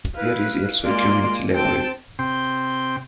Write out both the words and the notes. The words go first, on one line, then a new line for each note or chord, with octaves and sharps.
There is also a community library.
E4 B4 F5
G#3 A#3 F4 D5 C6
C4 G5 A5
C3 G5 C6